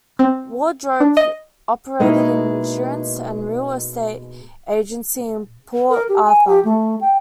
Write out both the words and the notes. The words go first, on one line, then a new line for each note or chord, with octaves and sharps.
Wardrope operated an insurance and real estate agency in Port Arthur.
C4
D4
D#5
B2 G#3 A#3 D#4 E4
A#4
G4
G#5
G4
A3
G5